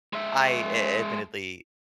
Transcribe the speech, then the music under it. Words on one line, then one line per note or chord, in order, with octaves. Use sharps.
I a admittedly,
G#3 E5